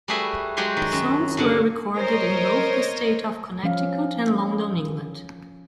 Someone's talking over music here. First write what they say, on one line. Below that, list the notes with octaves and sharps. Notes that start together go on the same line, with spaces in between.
Songs were recorded in both the state of Connecticut and London, England.
G3 A3 F#4 G#4 B4 E5
F#3 G#3 F#4 G4 C#5 C6
D#3
F#2
G2 D3 F#5
A#4 C5 C#5 D#5
F3 C#4 F5